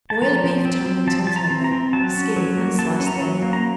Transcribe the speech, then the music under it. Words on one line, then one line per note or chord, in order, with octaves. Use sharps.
Boil a beef tongue until tender; skin and slice thin.
A5
F3 A#5
F3
C4
C4
F3 A5
F3 A5
A#5
C4
A#5
C4
F#3 A5
C#4
F#3
A#3
F#3 A5
C#4
A#5
F#3
A#3
A#5